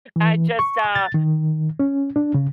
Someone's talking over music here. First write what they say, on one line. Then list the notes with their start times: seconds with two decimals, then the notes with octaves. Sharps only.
I just, uh,
0.16 E3
0.59 C#6
0.95 A6
1.14 D#3
1.80 C#4
2.16 D4
2.34 C#3